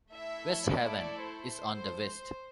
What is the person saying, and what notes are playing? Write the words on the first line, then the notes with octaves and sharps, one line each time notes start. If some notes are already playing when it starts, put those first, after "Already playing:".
West Haven is on the west.
A3 E4 A4 E5
D5
C5